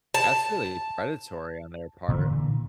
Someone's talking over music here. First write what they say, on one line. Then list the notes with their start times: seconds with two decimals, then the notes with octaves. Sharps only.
That's really predatory on their part.
0.14 A5
2.08 A#2 D3 E3